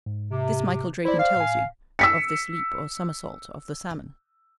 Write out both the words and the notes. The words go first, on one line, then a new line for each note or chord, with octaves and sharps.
This Michael Drayton tells you, of this leap or summersault of the Salmon.
G#2
C3
E4 C5 D5
F5
A2 G#5
E6 B6 C#7